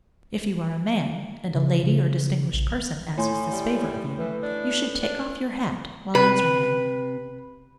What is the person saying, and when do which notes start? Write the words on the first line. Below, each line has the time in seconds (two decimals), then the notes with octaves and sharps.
If you are a man, and a lady or distinguished person asks this favor of you, you should take off your hat while answering them.
1.54 C#3
1.84 C#3
2.53 A#1
3.18 A2 C#5 G#5 C6
3.52 G3
4.19 E3 B4
4.43 D4
5.02 D4
6.15 C3 B4